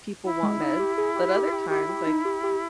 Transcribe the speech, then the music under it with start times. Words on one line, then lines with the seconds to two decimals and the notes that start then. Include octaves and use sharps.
people want meds, but other times, like,
0.25 E4
0.43 G#3
0.61 D#4
0.79 G4
0.98 G#4
1.16 G4
1.34 G4
1.52 G4
1.70 E4 G4
1.89 G4
2.07 D#4
2.25 G4
2.43 G4